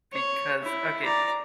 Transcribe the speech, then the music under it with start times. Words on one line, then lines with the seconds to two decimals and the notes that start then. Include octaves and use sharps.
because okay
0.13 C#5
0.63 E4
1.05 D5 A#5